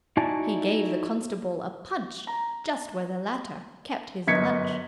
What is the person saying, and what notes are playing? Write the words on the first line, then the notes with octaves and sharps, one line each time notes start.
He gave the constable a punch just where the latter kept his lunch.
D#4 E4 F#4 D5 G#5 A5
A#5
G1 F#2 D#5 G#6 B6 C#7